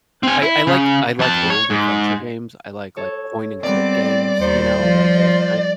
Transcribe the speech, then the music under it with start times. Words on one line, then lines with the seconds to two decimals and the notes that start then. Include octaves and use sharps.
I I like I like old adventure games, I like, like, point and click games, you know, like, those kind
0.23 C4 G#5
0.42 E4
0.67 C#3
1.19 F2 A5
1.50 C#5
1.70 G#2
2.97 A4 C#5
3.64 G3 B3 C4 A#4 D5
4.42 D#2 C5 C#7
4.78 F3 F4